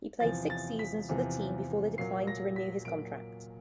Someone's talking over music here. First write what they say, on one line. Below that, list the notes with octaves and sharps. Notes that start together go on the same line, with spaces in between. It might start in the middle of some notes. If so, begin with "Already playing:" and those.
He played six seasons with the team before they declined to renew his contract.
E2 C3 F3 A6
A6
B6
E2 C3 F3
A#2 F#3 A#3 C7
A#6
B6
A#2 F#3 A#3 D7